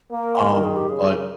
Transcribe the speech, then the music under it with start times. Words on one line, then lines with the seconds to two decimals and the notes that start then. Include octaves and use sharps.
um, but
0.12 A#3 A#4
0.51 D#3 A#4
0.64 G#4
0.76 G4
0.89 C#3 G#4
1.09 A#4